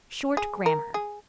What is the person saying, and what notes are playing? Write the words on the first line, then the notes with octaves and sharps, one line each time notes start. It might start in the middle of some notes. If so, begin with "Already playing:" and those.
Short Grammar.
G#4
A#4
G#4